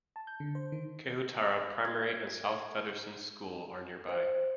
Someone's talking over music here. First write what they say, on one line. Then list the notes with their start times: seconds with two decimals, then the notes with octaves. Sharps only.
Kahutara Primary and South Featherston School are nearby.
0.16 A5
0.27 G6
0.40 D3
0.55 C5
0.72 D#3
1.85 G#6
4.09 C5